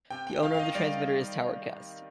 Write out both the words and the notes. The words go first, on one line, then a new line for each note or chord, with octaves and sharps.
The owner of the transmitter is Towercast.
C3 G5
G5
D#3 F5
F5
D#5
G3 D5